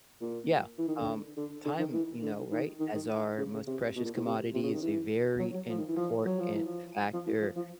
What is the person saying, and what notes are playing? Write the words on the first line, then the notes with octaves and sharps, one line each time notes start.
Yeah, um, time, you know, right, as our most precious commodity is a very important factor,
A#2
E3
D#3
D3
D3
D3
D#3
E3
D3
D#3
D#3
D#3
C#3
C#3
C3
B2
A#2
A2
C3
C3
C#3
D#3
E3
F#3
F#3
F3
D#3
E3
F3
F#3
F3
E3
F3
F3
E3
F3
F3